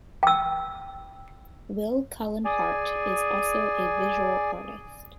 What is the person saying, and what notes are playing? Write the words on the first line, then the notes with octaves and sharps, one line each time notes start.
Will Cullen Hart is also a visual artist.
G5 E6
G#4 D5 G#5